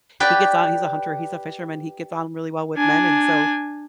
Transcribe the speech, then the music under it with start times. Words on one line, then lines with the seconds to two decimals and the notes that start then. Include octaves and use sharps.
he gets on he's a hunter, he's a fisherman, he gets on really well with men, and so
0.20 G4 B4 D5
2.77 D4 G#5